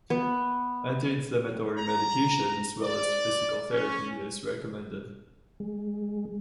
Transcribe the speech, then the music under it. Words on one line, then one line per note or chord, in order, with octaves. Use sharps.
Anti-inflammatory medication as well as physical therapy is recommended.
B3
A#5
D5
C#4
G#3